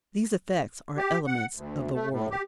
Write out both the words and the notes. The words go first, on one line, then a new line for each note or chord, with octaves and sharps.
These effects are elements of the world.
G4
F#5
D2
A3
A2
G4